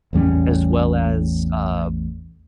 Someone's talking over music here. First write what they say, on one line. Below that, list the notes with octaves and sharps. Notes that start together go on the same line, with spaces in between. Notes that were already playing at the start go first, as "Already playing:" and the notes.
as well as, uh,
A1 E2 G3 C#4